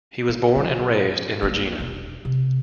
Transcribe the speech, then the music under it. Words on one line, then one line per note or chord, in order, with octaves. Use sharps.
He was born and raised in Regina.
C#3
F#3
G3 A#3
E1
C3